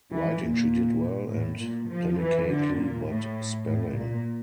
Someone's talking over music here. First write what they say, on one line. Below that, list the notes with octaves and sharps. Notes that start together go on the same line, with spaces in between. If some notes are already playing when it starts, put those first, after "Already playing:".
Writing she did well and delicately — but spelling!
E3
A#2
A2
A#2
F3
E3
D3
A#2
A2
A2
A#2